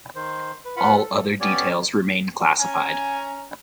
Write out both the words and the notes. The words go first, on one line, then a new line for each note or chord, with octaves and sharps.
All other details remain classified.
D#3 C5
B4
F4 B4 F#5 B5
A4
B3 C#4 G4 C#5 D5
C#4 G#5 A#5